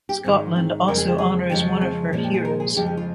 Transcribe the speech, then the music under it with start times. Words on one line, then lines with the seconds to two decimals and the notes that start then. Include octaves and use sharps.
Scotland also honours one of her heroes.
0.09 G4
0.24 G#2 D#3 G#3 C4
0.56 C4
0.88 F2 C#3 F3 G#3 A#4
0.98 G#4
1.08 G4
1.18 G#4
1.49 F2 C#3 F3 G#3 G4
1.81 C4
2.13 A#2 F3 G#3 C#4
2.24 G4
2.34 G#4
2.45 A#4
2.60 G#4
2.76 F2 C#3 F3 G#3 G4
2.86 G4
2.97 F4